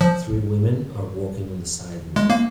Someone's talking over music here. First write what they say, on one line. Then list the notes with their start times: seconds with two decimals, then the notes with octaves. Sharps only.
Three women are walking on the sidewalk.
0.01 F3
2.16 G#3
2.30 A#3